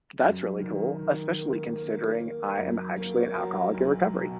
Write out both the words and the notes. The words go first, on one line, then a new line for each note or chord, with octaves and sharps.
that's really cool, especially considering I am actually an alcoholic in recovery.
F#2
D#3
D#3
A#3
A#3
A#3
F#2
A#3
F#3
B1
B2